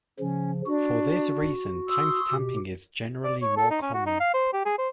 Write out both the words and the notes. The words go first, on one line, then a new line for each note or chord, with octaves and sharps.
For this reason, timestamping is generally more common.
C#3 F3 C#4
D4 F#4
C6 D#6 E6
B2 G4
D5
C#5
A4
D#4
C#4
F#4
D#4
F5
C5
G4
G#4
C5